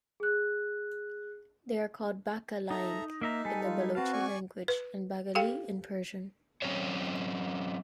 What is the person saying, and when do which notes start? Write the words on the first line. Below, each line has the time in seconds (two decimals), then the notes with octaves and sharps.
They are called "bakalaink" in the Balochi language, and "baghalee" in Persian.
0.20 G#4 F#6
2.71 D#4 A4 E5 A#5
3.21 A#3 D#4 E5 A#5
3.45 G3 A4 B4 G#5
3.63 F4
3.95 C4 F#4 B4 F5 A5
4.13 D5 G#5 C#6
4.68 B4
5.35 G4 A4 F5 G5
6.62 F#3 C4 C#4 G#4 C5 C#5